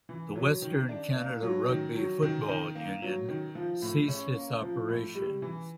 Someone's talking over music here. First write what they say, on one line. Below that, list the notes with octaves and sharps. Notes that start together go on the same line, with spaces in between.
The Western Canada Rugby Football Union ceased its operations.
E3
F#3
D#3
D4
A#3
F#3
D#3
F#3
D#3
D#3
A#3
F#3
D#3
F3
A2
C#4
A#3
F3
A2
G3
E3